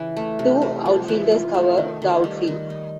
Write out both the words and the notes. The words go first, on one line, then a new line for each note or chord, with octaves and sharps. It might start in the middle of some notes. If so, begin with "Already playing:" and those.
Two "outfielders" cover the outfield.
Already playing: C#3 E3
A3
C3
C3
F3
E3
F4
A3
D#3
D#3
G3
D#3
D#4